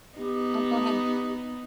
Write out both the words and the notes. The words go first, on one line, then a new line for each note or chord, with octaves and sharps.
Oh, go ahead.
B3 D#4 G4